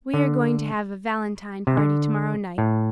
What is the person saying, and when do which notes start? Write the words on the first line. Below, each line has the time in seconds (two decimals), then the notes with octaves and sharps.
We are going to have a valentine party to-morrow night.
0.14 D3
1.67 C3
1.77 D3
2.58 A2